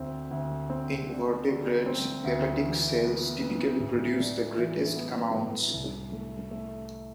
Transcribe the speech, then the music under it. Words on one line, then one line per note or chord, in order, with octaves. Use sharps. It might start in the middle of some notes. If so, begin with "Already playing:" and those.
In vertebrates, hepatic cells typically produce the greatest amounts.
Already playing: D2 C4
D2
C4
D3
D3
C4
D2
E3
B3
B3
A2
D4
E3
B3
A2
C2
A3
A3